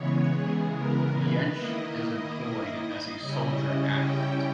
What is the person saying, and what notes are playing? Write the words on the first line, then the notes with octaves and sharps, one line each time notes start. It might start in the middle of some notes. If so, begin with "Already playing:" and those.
Jentsch is employed as a soldier athlete.
Already playing: C#3 E3 G#3 B3 C#5
G#4
A#4
B4
D#3 A#3 E4 D#5
C#3 G3 C#4 E4
G5